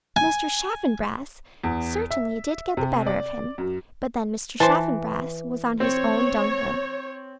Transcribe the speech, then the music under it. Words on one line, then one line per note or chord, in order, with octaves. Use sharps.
Mr. Chaffanbrass certainly did get the better of him; but then Mr. Chaffanbrass was on his own dunghill.
G#5
E2
E5
C3
D5
F#2
E3 C5 A5
C4 C#5